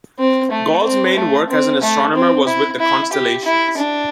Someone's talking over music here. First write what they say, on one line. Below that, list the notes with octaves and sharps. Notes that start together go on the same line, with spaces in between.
Gall's main work as an astronomer was with the constellations.
C4
A3
C4
A3
C4
A3
C4
E4
E4
G4
E4
D4